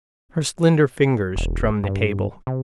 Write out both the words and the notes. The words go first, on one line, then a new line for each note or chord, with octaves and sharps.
Her slender fingers drummed the table.
E1
G2
C3